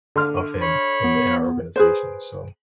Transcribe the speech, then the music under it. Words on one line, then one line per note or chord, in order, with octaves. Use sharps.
of him in the in our organization, so
D3 C6 F6
C#5 B5
B3
G#4 B4 C5